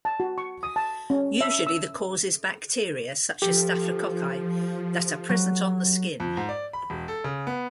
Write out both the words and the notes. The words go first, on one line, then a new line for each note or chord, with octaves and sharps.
Usually, the cause is bacteria such as staphylococci that are present on the skin.
A5
F#4
C#6
D#6
A5
C#4
E5
E6
F3 G4 A4
F#3
F2
G#2
D5
B5
E1
A4
C#3
B3